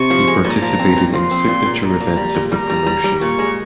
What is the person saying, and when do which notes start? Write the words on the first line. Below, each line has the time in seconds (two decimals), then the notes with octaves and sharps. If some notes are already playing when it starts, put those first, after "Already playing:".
He participated in signature events of the promotion.
Already playing: C3 C#6
0.10 F3
0.28 G#3
0.44 A#2 A#5
0.62 F3
0.79 C4
0.96 A#2
1.14 F3 C6
1.31 C4
1.48 A#2
1.66 A#2
1.83 A#2 A#5
2.00 A#2
2.17 G3
2.35 A#2
2.52 G3 A#5
2.70 G3
2.86 G3
3.04 G3
3.21 A#2 C#6
3.39 G#3